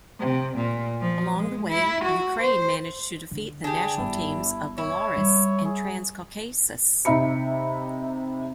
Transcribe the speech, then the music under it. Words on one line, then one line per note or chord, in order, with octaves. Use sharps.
Along the way, Ukraine managed to defeat the national teams of Belarus and Transcaucasus.
C3
A#2
F3
G#3
E4
F#4
C5
D3
D4 G4 G#4
G1 E4
E4 C#5
G3
G#4
C3 D#4 E5 B5 C#7